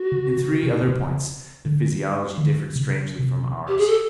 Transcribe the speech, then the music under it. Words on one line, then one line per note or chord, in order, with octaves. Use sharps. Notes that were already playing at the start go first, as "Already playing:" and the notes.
In three other points their physiology differed strangely from ours.
Already playing: F#4
C#3
C#3
C3
C3
C#3
D3
D#3
D3
C3
C#3
C3
G4
G#4
A4